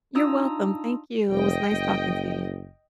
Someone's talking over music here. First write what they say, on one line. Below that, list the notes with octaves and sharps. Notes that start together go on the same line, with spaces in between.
You're welcome, thank you, it was nice talking to you.
D4 D#4 F4 A#5 D#6 E6
F1 D#5 G5
F#1